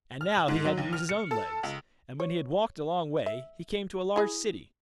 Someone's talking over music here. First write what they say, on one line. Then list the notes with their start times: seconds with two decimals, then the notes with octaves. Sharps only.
And now he had to use his own legs, and when he had walked a long way, he came to a large city.
0.21 F6
0.35 F#7
0.48 G#2
0.65 F#3
0.78 D#2
0.93 F6
1.09 C#7
1.31 A4
1.63 C#2
2.20 C#5
3.26 E5
4.16 E4 G#4